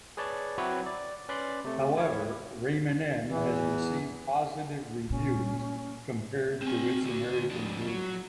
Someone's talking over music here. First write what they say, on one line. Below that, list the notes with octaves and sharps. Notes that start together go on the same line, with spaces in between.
However "Rayman M" has received positive reviews compared to its American version.
G#4 B4 C#5 D5 A5
F#3 C4 E4 F#4 B4 C#5
D5
C#4 B4 D5 B5 C6
C3 A3
E4 C#5
E2 E3
A#2 C#4
C4 G#5
D2 F#4
F2 D4
F#3